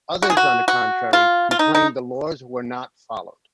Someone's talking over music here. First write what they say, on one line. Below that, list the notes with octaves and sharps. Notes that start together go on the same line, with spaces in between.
Others, on the contrary, complained the laws were not followed.
F#4
G#4
F#4
F#4
F4
F4
D#4
D#4